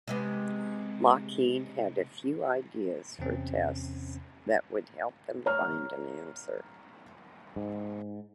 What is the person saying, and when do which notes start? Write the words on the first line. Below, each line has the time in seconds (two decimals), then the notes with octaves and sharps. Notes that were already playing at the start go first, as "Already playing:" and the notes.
Lockheed had a few ideas for tests that would help them find an answer.
0.08 C3 G#3 B3
3.19 E2 C3 C4 C#4
5.46 C#5 A#5 F6
7.56 G#2